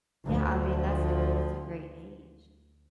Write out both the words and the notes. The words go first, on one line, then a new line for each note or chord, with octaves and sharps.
Yeah, I mean, that's a that's a great age.
D2 F3